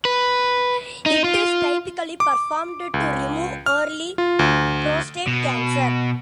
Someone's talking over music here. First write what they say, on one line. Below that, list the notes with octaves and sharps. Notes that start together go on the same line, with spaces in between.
It is typically performed to remove early prostate cancer.
B4
D#4
F4
D6
C#2
F6
F4
D2
B2